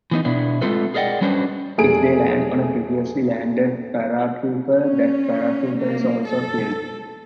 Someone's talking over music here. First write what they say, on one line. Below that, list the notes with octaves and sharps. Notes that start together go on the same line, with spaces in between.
If they land on a previously landed paratrooper, that paratrooper is also killed.
E3 B3 D#4
B2 B3 D4 E4
G#3 A3 C4 F4 A4 B4
G#4 A#4 D5 D#5 F#5 G5
F#3 G3 C#4 D4 B4 C5
F1 A3 G#4 D7
C#4
A#3
A4